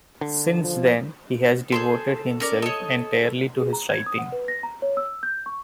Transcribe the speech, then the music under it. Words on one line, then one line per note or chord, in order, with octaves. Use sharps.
Since then, he has devoted himself entirely to his writing.
D3
F3
G#4 A4 C5 C6
C#4 A#4 D5
A4 C#5 D#5
G#4
A#5
G#6
D#6
F#5
B4
A#6
A#5
C#5
E6
G6
C#6